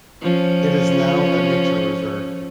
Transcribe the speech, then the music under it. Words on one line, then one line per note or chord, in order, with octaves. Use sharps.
It is now a nature reserve.
F3 C#4